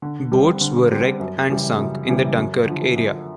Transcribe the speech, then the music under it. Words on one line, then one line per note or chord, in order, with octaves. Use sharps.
Boats were wrecked and sunk in the Dunkirk area.
D3
G3 C4
D3
G3 C4
F#2
C#3 E3 G3
F#2
C#3 E3 G3
F#2
D3 F3
F#2